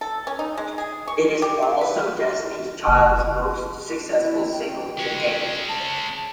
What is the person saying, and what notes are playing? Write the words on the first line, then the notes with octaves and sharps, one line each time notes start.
It is also Destiny's Child's most successful single to date.
A4
C#4
D#4
G#3
G#4
C#6
G4
F#3
B4
F#1
E4
G5
G#3 C#4
A5